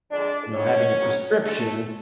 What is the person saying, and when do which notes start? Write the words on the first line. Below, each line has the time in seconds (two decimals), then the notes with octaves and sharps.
you know, having a prescription,
0.11 F2 D3 G#3 D4 D5
0.54 F2 D3 G#3 C#4 C#5
0.98 D2 C#3 F#3
1.41 D2 D3 G#3 A3 A4